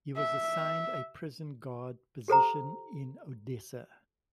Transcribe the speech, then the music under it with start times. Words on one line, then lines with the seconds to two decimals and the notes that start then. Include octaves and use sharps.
He was assigned a prison guard position in Odessa.
0.17 E5
2.28 G4 A4 C5 A#5